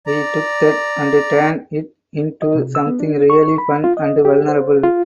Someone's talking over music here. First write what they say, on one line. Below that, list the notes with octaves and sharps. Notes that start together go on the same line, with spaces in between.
We took that and turned it into something really fun and vulnerable.
D5 A#5
D#5
C3
E6
B3
D4
C#6
B5
F4
D#5
G4
C5
F4